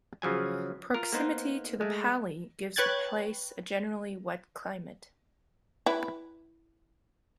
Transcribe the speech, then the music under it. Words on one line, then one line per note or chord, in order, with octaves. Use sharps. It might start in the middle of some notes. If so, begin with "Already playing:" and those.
Proximity to the "pali" gives the place a generally wet climate.
C#3 F3 F#3 G#5
F4 A#4
A#3 B3 D#4 C5
G#3 A3
B4 C#5 G5 F#6 G#6 A6
E4 B4